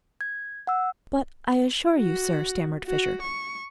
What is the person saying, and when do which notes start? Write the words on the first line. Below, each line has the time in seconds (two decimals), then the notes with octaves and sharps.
"But I assure you, sir,--" stammered Fisher.
0.21 G#6
0.67 F#5 E6
1.97 F#4
2.87 F#4
3.22 C#6